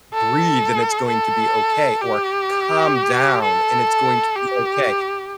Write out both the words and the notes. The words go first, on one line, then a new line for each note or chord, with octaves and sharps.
"Breathe and it's going to be okay," or "Calm down and it's going to be okay,"
A4
A4
G4
A4
G4